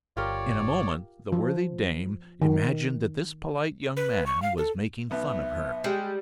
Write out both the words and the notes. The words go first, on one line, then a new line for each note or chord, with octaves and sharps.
In a moment the worthy dame imagined that this polite young man was making fun of her.
G1 F4 G4 A#4 C#5 D5
F3
D#3
B4
C#6
F5
A4
B1 B3 E5
G3 G#3